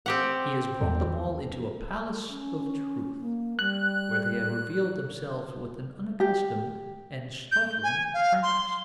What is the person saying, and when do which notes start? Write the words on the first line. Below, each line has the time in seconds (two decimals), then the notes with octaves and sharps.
He has brought them all into a Palace of Truth, where they have revealed themselves with an unaccustomed and startling frankness.
0.06 C4 G4 F#5
0.81 E2
2.29 C#4
3.20 A#3
3.59 G3 F#6
6.20 G4
7.51 G6
7.83 G#5
8.13 F5
8.42 C6